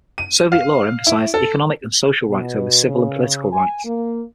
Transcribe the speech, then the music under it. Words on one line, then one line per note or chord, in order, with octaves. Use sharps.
Soviet law emphasized economic and social rights over civil and political rights.
D#7
F5
E4
A4
B2
C#3
G#5
A#3